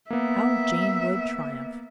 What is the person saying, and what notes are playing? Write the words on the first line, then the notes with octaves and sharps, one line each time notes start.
How Jane would triumph!
A#3 B3 E5